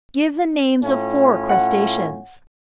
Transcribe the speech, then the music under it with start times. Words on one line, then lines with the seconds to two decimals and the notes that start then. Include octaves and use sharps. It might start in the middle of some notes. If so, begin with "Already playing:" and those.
Give the names of four crustaceans.
0.83 A2 C#4 F4
1.49 F#5